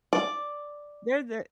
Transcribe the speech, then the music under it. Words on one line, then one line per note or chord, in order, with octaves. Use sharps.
They're the
D5